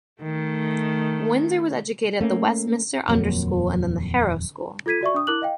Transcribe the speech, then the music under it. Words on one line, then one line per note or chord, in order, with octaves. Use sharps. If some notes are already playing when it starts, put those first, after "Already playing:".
Windsor was educated at Westminster Under School and then Harrow School.
D#3 A3
A3 A#3 C#4
D#1 F2 F#3 A#3
F4 A4 G#6 B6 D#7
F#4 D5 E5 C#6
D4 D#6
E4 A#4 D6 F#6 F#7
D#5 F5 G5